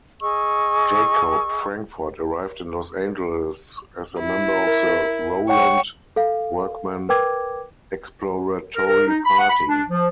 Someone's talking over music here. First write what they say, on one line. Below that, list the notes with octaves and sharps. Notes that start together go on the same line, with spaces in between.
Jacob Frankfort arrived in Los Angeles as a member of the Rowland-Workman exploratory party.
G#4 D#5 C#6 E6
E4
A#4
C#5 F#5 G5 C#6
A4 F5
A#4 B4 G5 D6 G#6
A#4
A#4
D#4
B5
F#5
B5
D4
F3